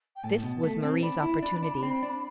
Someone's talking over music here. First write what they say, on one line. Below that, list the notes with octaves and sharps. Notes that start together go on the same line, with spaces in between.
This was Marie's opportunity.
G5
A2 A5
B2
A3
C4
D4 B5
E4
D4
D4
C4
D4